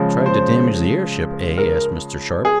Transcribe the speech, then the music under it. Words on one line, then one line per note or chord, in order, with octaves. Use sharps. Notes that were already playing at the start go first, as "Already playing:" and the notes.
"Tried to damage the airship, eh?" asked Mr. Sharp.
Already playing: C#3 F3 G#3
C5
A#4
G#4